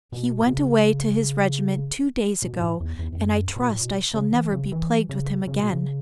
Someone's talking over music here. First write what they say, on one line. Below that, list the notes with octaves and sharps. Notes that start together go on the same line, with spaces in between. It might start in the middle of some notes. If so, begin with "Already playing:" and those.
He went away to his regiment two days ago, and I trust I shall never be plagued with him again.
B2
B2
C#3
B2
B2
A2
E2
E2
E2
F#2
B2
A2
B2
C#3
E3
C#3
E3
C#3
C#3
B2
C#3